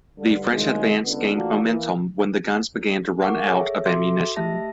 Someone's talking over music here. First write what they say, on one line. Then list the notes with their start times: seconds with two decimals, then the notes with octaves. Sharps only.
The French advance gained momentum when the guns began to run out of ammunition.
0.18 G2 D3
0.52 C2 D#3 F3 F#3 G#3
1.04 C#2 D3 B3
1.35 E3 A3 A#3 D4 F4 F#4
1.63 E3 A#3
3.22 A#4 F#5 C#6 D6
3.45 G#4 A4 C#5 E5
3.85 F#4 A4 E5 C6 D6
4.36 A3 G4 E5 A5 A#6